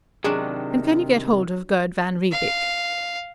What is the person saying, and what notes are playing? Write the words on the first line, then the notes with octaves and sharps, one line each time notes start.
And can you get hold of Gerd van Riebeek?
C3 D#3 F#3 D4 F#4 G#4
F5